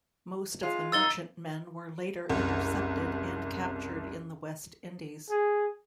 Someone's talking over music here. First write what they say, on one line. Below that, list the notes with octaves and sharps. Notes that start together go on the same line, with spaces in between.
Most of the merchantmen were later intercepted and captured in the West Indies.
G#3 F4
F2 A#3 D#4 E6 A6 G7
F#1 C2
G#4